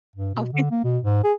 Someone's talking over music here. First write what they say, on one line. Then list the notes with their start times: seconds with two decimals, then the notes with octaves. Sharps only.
I went
0.16 G2
0.34 B2
0.53 D3
0.71 A#3
0.84 B2
1.03 G#2
1.24 G#4